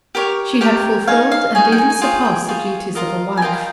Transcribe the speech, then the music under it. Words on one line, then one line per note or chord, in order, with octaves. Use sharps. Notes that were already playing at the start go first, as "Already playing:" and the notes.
She had fulfilled and even surpassed the duties of a wife.
G4 A#4 C#5
G4 A#4 C#5 G5
D#4 G#4 C#5 F5
F5
D#4 G#4 C#5 G#5
G5
G#5
G#5
F4 G#4 C#5 G5
G5
F4 G#4 C#5
F4 A#4 D#5
G#5
F4 A#4 D#5 G5